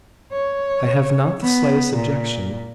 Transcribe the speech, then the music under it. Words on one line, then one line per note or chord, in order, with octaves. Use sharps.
I have not the slightest objection.
C#5
B3
A#2